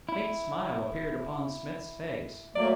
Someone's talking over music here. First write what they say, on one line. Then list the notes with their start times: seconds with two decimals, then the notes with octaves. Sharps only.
A faint smile appeared upon Smith's face.
0.09 E4
2.56 F#3 A3 A#3 D5